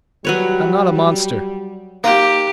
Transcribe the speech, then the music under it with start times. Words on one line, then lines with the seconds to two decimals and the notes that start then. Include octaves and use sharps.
I am not a monster.
0.25 F#3 G3 B4 C#5
2.04 A#3 D#4 G4